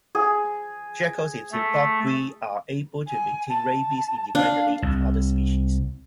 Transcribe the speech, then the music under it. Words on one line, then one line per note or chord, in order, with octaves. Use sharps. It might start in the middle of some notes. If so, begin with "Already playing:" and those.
Jackals in Zimbabwe are able to maintain rabies independently of other species.
G#4
A3
G#5
A5
D4 F5
C2